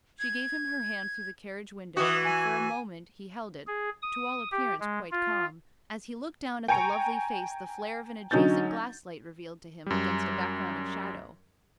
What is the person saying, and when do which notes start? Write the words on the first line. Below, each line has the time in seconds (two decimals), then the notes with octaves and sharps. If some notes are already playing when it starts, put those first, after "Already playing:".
She gave him her hand through the carriage-window, and, for a moment, he held it, to all appearance quite calm, as he looked down at the lovely face the flare of an adjacent gaslight revealed to him against a background of shadow.
0.20 G#6
1.97 E3 F#4 D#6
2.24 G#5
3.67 G#4
4.02 D#6
4.51 G4
4.80 G#3
5.11 F4
6.68 G5 G#5 A#5 C#6 C#7
8.31 D3 F#3 C#4 D#4 G6 A6
9.86 F#2 G3